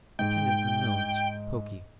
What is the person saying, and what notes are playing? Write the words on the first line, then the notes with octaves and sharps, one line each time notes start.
Attendant unknowns; pokey.'
G#2 G5